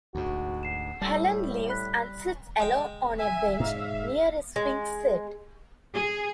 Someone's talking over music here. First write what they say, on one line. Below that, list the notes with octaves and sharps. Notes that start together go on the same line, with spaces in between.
Helen leaves, and sits alone on a bench near a swing set.
D2 G#2 F#4
F#5 C7 E7
A2 G3 A5 E6
B5 F#6 B6
G#3 G5
E5 G#5
G#2 F5
G#3
G#4